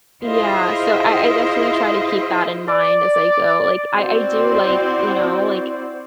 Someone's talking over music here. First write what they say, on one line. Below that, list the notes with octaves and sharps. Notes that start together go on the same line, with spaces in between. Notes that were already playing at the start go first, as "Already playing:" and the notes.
Yeah, so, I I definitely try to keep that in mind as I go, like, I I do, like, you know, like
E4 F4 G#4 C5 D#5 E5
D5
C4 E4 F#4 C5 D5